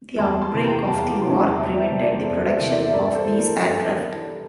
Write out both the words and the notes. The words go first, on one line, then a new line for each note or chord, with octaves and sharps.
The outbreak of the war prevented the production of these aircraft.
E2 A5 C6
A5 C6
C3 E3
G5 A#5
A#5
E2 F5 A5
D6
C3 E3 C6
A#5
A5
E2 E5 G5
D5
C5 E5
C3 E3
A#4 D5
E2 A4 C5
C5 E5
C3 E3
A#4 D5
E5
G2 A#4 D5
D5
A4 C5
E3
A#4
G2
E3